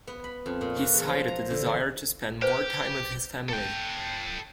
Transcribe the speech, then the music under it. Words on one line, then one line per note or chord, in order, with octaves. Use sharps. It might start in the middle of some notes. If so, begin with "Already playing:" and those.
He cited a desire to spend more time with his family.
B3
B5
F2
A#2
F#4
E2
F3
A#5
D3
E3
G4 B4 C5
A4 G5